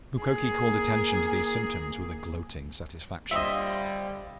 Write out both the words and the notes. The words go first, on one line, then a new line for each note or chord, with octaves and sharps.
Mukoki called attention to these symptoms with a gloating satisfaction.
A#3 G#4
D3 G3 C4 F4 D#5 E5